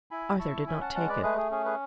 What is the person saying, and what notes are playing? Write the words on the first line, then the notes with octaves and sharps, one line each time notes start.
Arthur did not take it.
E4 G#5 B5
E4 A5 C#6
C#4 G#5 B5
F#5 A5
G#3 F#5 A5
B4 D5
A3 G#4 B4
G#4
C#4 G#4
G#4 B4